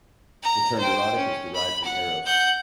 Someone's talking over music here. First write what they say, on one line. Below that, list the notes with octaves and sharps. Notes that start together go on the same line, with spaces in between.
The term "erotic" is derived from "eros".
A#5
C5 G5
C#4
B5
F#5
F#5 G6